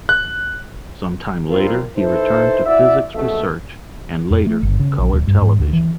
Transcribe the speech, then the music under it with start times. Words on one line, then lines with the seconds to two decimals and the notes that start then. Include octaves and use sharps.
Some time later, he returned to physics research and later colour television.
0.09 F#6
1.49 F#3 G3 C4 F4 A#4
1.96 D#4 E4 A4 B4 C5
2.65 E4 F#4 D5 E5
3.14 A#1 E2 B2 A3 A4 E5
4.30 F2
4.47 A3
4.63 G1
4.80 C#3
4.98 A#1
5.13 D1
5.27 G2
5.42 G#2
5.59 D2
5.73 E3